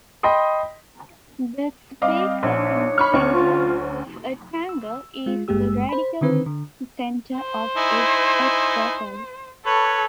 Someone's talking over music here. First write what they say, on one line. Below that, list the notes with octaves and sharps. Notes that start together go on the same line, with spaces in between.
The Spieker center of a triangle is the radical center of its excircles.
D#5 G5 B5 C6 D#6
G3 C4 D#5 F5 D6
A#1 D4 D#4 C#5
B5 C#6 F6
D2 C#4 C#6
F4
E6
G#3 F4
G#1 G2 G#3 A#3 G4 E6
C5 B5
D3 D#3 C4 B4
D3
C5
D#4 E4 G#5
A4 B4 C#5